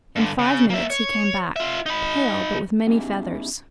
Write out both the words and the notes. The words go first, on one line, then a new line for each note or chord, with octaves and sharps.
In five minutes he came back - pale, but with many feathers.
G2 D3
C#3
A#3 E5
C#5
F4 E5
D#4 B5
B3 C#4 D#4 E4 G4 G#4